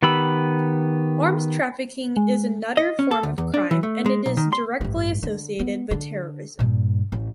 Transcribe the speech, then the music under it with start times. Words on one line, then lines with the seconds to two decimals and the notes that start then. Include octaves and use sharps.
Arms trafficking is another form of crime and it is directly associated with terrorism.
0.03 D#3 B3 G4 B5 E6
2.17 G#3
2.77 D#5
2.99 C#4
3.11 A4
3.23 D2
3.38 E2
3.54 D4
3.71 E3
3.83 A3
4.06 G#3
4.26 B1
4.37 D#3
4.53 C6
4.81 A1 G2
5.23 D3
5.59 B3
5.91 D3 D4
6.59 G2 A#2
7.12 A1